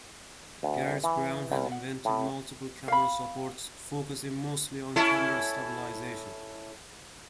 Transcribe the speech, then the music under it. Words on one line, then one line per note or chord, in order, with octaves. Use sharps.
Garrett Brown has invented multiple camera supports focusing mostly on camera stabilization.
D2
C2
E3
C2
F#5
A2
F5 B5
C#4 E4 A4